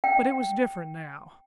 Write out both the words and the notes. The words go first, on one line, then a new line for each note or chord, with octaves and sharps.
But it was different now.
G5